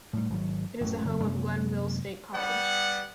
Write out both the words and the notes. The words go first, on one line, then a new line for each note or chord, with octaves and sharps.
It is the home of Glenville State College.
A2 G3
G#1 F#3
A1 F#2 E3
F#1 F2
F#2 C3 G#3 A#3
G3 B3 F#5